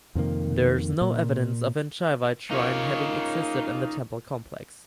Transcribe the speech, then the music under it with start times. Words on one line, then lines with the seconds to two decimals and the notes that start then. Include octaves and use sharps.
There is no evidence of any Shaivite shrine having existed in the temple complex.
0.15 F2 C3 D#3 A#3
1.01 A#2
2.51 C#3 A#3 D#4 F4 C#5